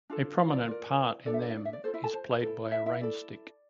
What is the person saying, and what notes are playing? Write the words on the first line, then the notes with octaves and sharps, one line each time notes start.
A prominent part in them is played by a rain-stick.
D4 F4 A4
F4 F5
D5
F4 A#4 D5
D4 A4 D5
E5
D5
E5
D5
E5
D5
F4 A4 C5
E4 E5
A4 A5
C5
E4 A4
E4 E5
E4 E5
E4 A4 D5